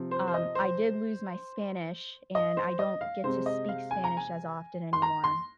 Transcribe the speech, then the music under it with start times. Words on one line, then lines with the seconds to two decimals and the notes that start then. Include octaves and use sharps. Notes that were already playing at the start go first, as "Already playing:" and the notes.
um, I did lose my Spanish, and I don't get to speak Spanish as often anymore.
Already playing: C3 F3 C4
0.11 C5
0.28 C5
0.34 D#5
0.55 C5
2.35 D#5
2.57 C5
2.79 D#5
3.01 F5
3.24 C3 G#3 C4 C5
3.46 D#5
3.69 F5
3.91 G#5
4.04 A#5
4.17 G#5
4.93 C6
5.02 A#5
5.24 C6